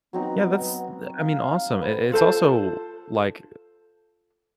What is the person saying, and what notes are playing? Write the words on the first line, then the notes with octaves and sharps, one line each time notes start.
yeah, that's th I mean, awesome, I it's also like,
F#3 B3 C4 D#4
F5
B4 C5
F4 A4 C5 A5